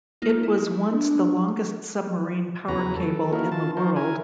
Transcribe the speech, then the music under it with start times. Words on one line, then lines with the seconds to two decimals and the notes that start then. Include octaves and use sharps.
It was once the longest submarine power cable in the world.
0.22 A#3 D#4 F4
0.43 E4
0.90 D4
2.68 E2 C#3 F#4 B4 A#5
2.96 A4
3.33 A#3 D#4 E4 F#4 A#4
3.52 E3 F4 A5
3.77 D#4 F4 F#4 A#4 C5
3.96 E4 A#4 G#5